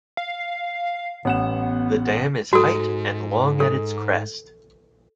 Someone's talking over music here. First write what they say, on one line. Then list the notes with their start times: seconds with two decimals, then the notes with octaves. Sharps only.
The dam is height and long at its crest.
0.17 F5
1.25 A1 B3 F#5 E7
2.53 G#2 F#4 A4
3.60 A4